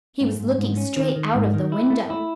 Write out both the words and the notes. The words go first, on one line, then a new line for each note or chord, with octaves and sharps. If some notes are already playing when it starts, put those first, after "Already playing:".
He was looking straight out of the window.
G#2
G#2
G#2
C#4
D#3
D#3
G#2
D#3
E4
A3
E4